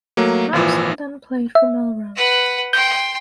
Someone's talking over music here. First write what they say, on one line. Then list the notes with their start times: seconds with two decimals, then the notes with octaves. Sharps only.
Thomson then played for Melrose.
0.17 F#3 A3 A#3
0.53 G#1 A#2 E3 F3
1.55 E5
2.16 B4 F#5
2.73 G5 C6 G6